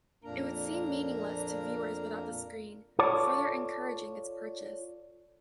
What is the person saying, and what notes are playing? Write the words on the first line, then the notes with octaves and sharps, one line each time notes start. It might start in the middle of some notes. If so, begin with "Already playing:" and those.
It would seem meaningless to viewers without the screen, further encouraging its purchase.
F2 A#2 A#3 D4 A#4 A#5
F4 A4 C#5 D5